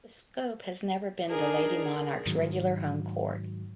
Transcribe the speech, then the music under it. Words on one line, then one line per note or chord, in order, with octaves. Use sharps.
The Scope has never been the Lady Monarchs' regular home court.
D4 D#4 G#4 A#4
G#2 D#3 F#3